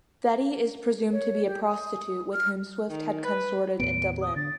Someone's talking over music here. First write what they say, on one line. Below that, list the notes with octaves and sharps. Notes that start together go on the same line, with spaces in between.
Betty is presumed to be a prostitute with whom Swift had consorted in Dublin.
C#5
G4
D#6
F6
D#3
B4
D#2 A2 B3 D7
D#6
D3 A6